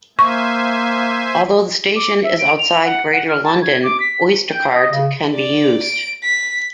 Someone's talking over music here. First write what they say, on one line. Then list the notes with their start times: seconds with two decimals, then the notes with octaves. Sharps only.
Although the station is outside Greater London, Oyster cards can be used.
0.19 A#3 C5 E5 G#5 C#6
1.96 D6
2.23 E5
2.39 D7
2.59 F7
2.84 F#5
3.13 F#5
3.28 F6
3.44 A5
3.62 G#6
3.83 D6
4.00 B6
4.50 G5
4.73 D#5
4.92 C#3
5.34 D5
5.83 D7
6.23 B6